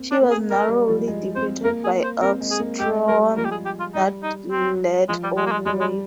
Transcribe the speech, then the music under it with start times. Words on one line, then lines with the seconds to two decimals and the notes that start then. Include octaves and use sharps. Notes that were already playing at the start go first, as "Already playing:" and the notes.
She was narrowly defeated by Elvstroem, that led all the way.
Already playing: A#3 C4
0.11 D4
0.22 A#3
0.31 G#4
0.50 G#3 A#4
0.69 G3
0.88 F3
1.08 G#3
1.36 C4 C5
1.64 A#3 A#4
1.84 G#4
2.03 C5
2.22 C4 A#4
2.41 G#3
2.51 G#4
2.60 A#3
2.80 G#3 G4
3.08 G3 A#4
3.37 F3 A#4
3.45 G4
3.51 G#4
3.65 G4
3.79 F4
3.94 G3 D#4
4.23 D#4
4.51 C4
5.09 F3 G#3
5.23 G3
5.37 G#3
5.46 A#3
5.52 G#3
5.66 G3 G#3
5.80 G#3